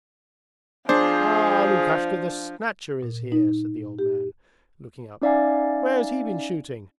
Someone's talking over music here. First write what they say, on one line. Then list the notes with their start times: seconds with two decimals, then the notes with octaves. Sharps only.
'Ah! Lukashka the Snatcher is here!' said the old man, looking up. 'Where has he been shooting?'
0.89 F3 D4 G#4 C5
3.03 A#2
3.32 D#4
3.99 G4
5.22 C#4 D#4 D5 E5 F5 G#5